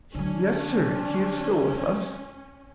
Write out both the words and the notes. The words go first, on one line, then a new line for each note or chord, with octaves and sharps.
"Yes, sir, he is still with us."
D3 F#3 C#4 D4